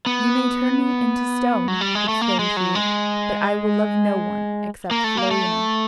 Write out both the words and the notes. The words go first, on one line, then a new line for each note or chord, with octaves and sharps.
"You may turn me into stone!" exclaimed he; "but I will love no one, except Florina."
B3
F#3
G3
G#3
A3
A#3
G#3
F#3
G#3
A#3
A3
A#3
A3